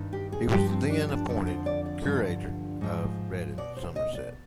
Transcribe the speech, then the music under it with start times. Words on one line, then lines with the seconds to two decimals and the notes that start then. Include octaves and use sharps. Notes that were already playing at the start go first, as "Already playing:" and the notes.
He was then appointed Curate of Redden, Somerset.
Already playing: G2 D#3
0.13 G4
0.32 G#4
0.51 G2 F3 G4
0.71 C4
0.90 D4
1.09 D4
1.28 F2 D3 F3
1.47 C5
1.66 D5
1.86 D5
2.05 G2 D3 F3
2.81 G#2 F3
3.58 B2 D5
3.77 C5
3.96 D#5
4.15 D5